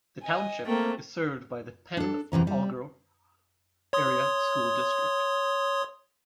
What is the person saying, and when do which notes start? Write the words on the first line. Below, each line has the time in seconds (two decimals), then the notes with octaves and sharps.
The township is served by the Pen Argyl Area School District.
0.22 D#5 G#5
0.66 A3 A#3 C4 G5
1.97 D4 A4
2.32 E2 C3 E3 A#5
2.47 G3
3.93 C#5 C6 D#6